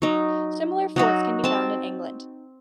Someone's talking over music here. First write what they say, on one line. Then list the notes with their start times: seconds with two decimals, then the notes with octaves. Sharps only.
Similar forts can be found in England.
0.02 F#3 D#4
0.96 F#3 D#4 F#4
1.44 C4 A5